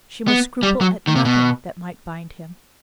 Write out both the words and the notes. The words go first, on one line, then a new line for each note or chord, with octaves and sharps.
She must scruple at nothing that might bind him.
B3
G3
F#3
D#3
C3
B2